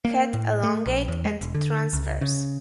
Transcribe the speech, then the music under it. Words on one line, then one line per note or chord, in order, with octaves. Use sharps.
Head elongate and transverse.
A#3
A2
A3
A#1
E2
G#3
E1
D3
C#2
C#3